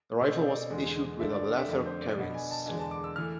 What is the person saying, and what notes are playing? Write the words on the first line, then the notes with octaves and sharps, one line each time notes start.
The rifle was issued with a leather carrying sling.
B2 A3 C4 C5
C5
D5
E2 D3 G#3
D3 A3 D4 E5
D5
D5
E5
F2 D3 A3 D4
C5
D5
B2 B3 D4
G#5
A5
E2 D3 G#3 D4 G#5
A5
D6
E6
E3 A3 F6